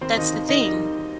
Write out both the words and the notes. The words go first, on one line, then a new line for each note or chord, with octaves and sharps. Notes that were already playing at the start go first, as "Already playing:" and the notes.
that's the thing.
D#3 C4 C5
D#2 D#4 D#5
D#2
D#3 D#4 D#5
G3 D#4 D#5
D#2
D#3